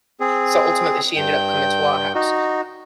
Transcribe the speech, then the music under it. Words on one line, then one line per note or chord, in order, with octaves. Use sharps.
so, ultimately, she ended up coming to our house,
C4 G#4
G2 G5 G6
D#4 F#4